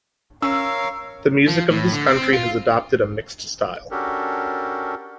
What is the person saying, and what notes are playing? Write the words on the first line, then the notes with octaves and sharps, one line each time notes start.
The music of this country has adopted a mixed style.
C#4 A#4 C#5 F5 E6
F3
A2
D3
C4
F4
C#4 D4 F#4 G4 A4 A#4